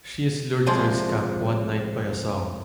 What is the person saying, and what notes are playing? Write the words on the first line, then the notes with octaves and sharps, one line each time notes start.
She is lured to his camp one night by a song.
C2 F3 G#3 C6